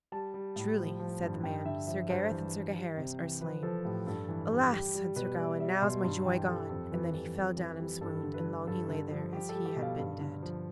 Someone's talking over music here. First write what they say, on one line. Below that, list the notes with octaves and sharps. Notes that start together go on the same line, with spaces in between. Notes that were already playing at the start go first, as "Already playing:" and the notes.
"Truly," said the man, "Sir Gareth and Sir Gaheris are slain." "Alas!" said Sir Gawain, "now is my joy gone." And then he fell down and swooned, and long he lay there as he had been dead.
G3 A5
G3
A2
F3
F3
G2
G2 G5
D3 E5
F3 E5
G2 C5
E3
G3
G3
C3
E3
F3 B4
F3 A4
A2 G4
G2 A4
E3
G3
G3 G4
G3
B2 B4
G3 D5
G3 E5
B2 C6
G2 C6
E3 G5
G3 A4
F2 A4
E3 B4
G3 A4
F2
E3
G3
G2 A4
D3
B4
G3
G2 A4
D3
F3
G3 G4
A4
G3
G4
B2
F5
G2
D3
F3